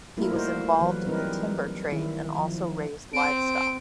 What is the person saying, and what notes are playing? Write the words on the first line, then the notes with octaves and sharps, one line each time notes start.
He was involved in the timber trade and also raised livestock.
G3 A3 A#3 E4 F4 A#4
D#4 E4 F#4 A#4 C5
E3 F#3 B4
G3 C4 D#4 A#4 B4
D#3 E4
F3
C4 D7